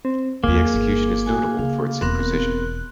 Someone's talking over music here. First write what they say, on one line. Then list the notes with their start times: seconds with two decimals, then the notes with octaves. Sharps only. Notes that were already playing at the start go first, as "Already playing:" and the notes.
The execution is notable for its imprecision.
0.05 C4
0.44 E2 D3 A#3 G#4
0.74 G1
1.26 F#4 G#5
1.59 C#3 F5
2.01 E1 E2 B3 C4 A#4 F#6